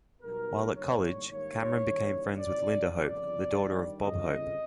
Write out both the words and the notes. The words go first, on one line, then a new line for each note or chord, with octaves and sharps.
While at college, Cameron became friends with Linda Hope, the daughter of Bob Hope.
B1 B2 G3 B3 A#4
G1 G2 D#3 G3 A#3 C#5
G#2 D#3 G3 A#3 C#5
D#2 C#3 E3 G3
C2 C3 D#3 F#3 D5
G1 F2 C#3 F3 D5
G2 D#3 G3
G1 F2 C#3 D#5